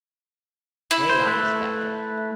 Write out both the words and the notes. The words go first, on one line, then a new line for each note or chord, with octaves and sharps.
way off the spectrum.
E4
C5
A3 B4